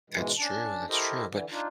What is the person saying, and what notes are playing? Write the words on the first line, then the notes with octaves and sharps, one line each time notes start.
That’s true, that's true, but
G#2 B2 E3 G#3
C#4 D4 A5
E4 G4 A4 A#4 C5 D#5
D3 E3
D4 D#4 F4